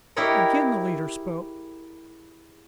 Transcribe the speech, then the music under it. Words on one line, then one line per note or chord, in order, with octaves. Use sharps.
Again the leader spoke.
E4 G4 G#4 A#4 C#5 D#5